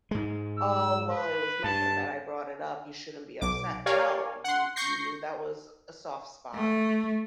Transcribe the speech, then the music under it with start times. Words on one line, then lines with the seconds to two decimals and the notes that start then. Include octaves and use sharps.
oh well, it was nothing that I brought it up, you shouldn't be upset. No, you you knew that was a soft spot,
0.11 G#2 G#3
0.58 E6
1.11 B4
1.64 G2 A5
3.41 B1 D6
3.86 G4 A#4 C#5 D5 F5 G#5
4.44 F#5 C6
4.76 C#6 G6 A#6 C7
6.55 A3